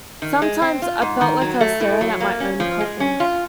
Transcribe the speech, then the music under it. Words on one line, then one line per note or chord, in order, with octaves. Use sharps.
Sometimes I felt like I was staring at my own coffin.
D#3
G#3
C4
F4
G#2
D#3
F#3
A3
A2
F#3
A#3
C#4
F3
G#3
C#4
F4